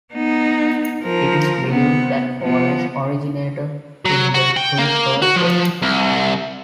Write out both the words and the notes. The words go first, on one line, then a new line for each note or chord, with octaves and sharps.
It is believed that Pholus originated in the Kuiper belt.
B3 D#4
F3 A#4
C3 B3
F3 B3
F#3
F#4
G5
A#3
F#4
F3
C2